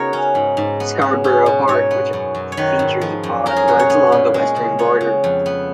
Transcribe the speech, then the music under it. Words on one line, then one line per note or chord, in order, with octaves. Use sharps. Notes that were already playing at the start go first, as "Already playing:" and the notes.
Scarborough Park, which features a pond, runs along the western border.
Already playing: C#3 B3 D#4 F#4 A#4 C#5
C#4
G#2
G#2
B3
C#3
C#4
B2
G#2 C#5
B3
F#2
F#2
C#5
D#3 B4
G#2
F3
F#2
C#4 A#4
G#4
B2 F#4
C#5
B3 C#5
A#2
G#3
C#3
B3 C#5
C#3
F2
B3